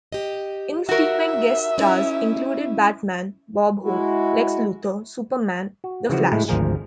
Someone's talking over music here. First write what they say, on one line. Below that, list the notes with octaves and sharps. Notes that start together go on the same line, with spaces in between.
Infrequent guest stars included Batman, Bob Hope, Lex Luthor, Superman, the Flash.
G4 D#5
D#4 F#4 A#4 E5 F#5
C#4 D#4 E4
G#3 E4 F#4
F#4
C#3 E3 F3 F#4
A2 G#3 E4
G#1 D2 F3 A#4 G#5